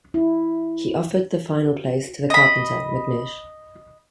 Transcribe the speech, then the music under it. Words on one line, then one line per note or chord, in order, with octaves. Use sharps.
He offered the final place to the carpenter, McNish.
E4
D#5 B5